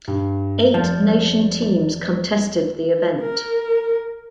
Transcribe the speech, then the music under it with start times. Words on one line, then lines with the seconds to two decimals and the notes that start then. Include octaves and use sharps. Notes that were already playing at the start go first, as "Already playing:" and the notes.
Eight nation teams contested the event.
0.08 G2
0.74 F1 F3 A5
3.22 A#4